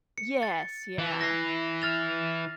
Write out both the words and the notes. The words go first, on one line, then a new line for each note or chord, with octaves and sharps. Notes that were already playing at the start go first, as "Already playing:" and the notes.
Yes, yeah.
C#7
A6
E3
A#6 C7
F6 A6 F7